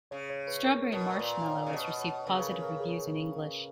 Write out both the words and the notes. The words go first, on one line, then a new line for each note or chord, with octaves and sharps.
"Strawberry Marshmallow" has received positive reviews in English.
C#3 C#5
C#5
B4
A#4
B2 A#4
A#2 B4
C#5
C#3
B2 D#5
C#5
C#3 B4
B4
A#4
A#4
G#4